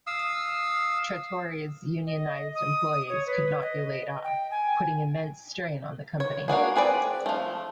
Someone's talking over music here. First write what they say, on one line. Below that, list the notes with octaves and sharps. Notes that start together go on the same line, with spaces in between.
Trattori's unionised employees could not be laid off, putting immense strain on the company.
F5 D#6 E6
D#5
D#6
C#5
B4
D#5
G5
G#5
C#5
A#3 D4 F#4 G#4
C4 G#4 B4 D5
F3 A3